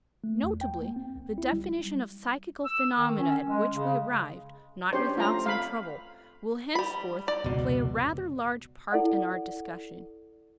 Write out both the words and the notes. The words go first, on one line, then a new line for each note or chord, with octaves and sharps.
Notably, the definition of psychical phenomena at which we arrived, not without some trouble, will henceforth play a rather large part in our discussion.
A3
E2
G5
A#3
C4
C2
E4
G3
E6
D#3
C#4
G#3
C#3
C#4 D4 G4 C5
A3 C4 F4 A#5
F5 B5
G3 B5
D5
F1 C#2 B2
E4 A4 D5 F#5